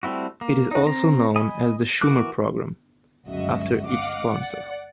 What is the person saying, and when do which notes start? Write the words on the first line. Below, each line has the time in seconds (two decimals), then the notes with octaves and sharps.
It is also known as the Schumer program, after its sponsor.
0.03 G3 A3 C4 E4 F#4
0.41 A#3
0.71 D#4 F#4
0.86 C4 A#5
1.36 D#5 G#5 B5 D#6
2.01 E3 F#4 A#4 D6 F#6
3.25 G1 C#2 F#2 F#4 D#5 E5
3.86 D#5 F5 F#5 D6
4.30 D5 F#5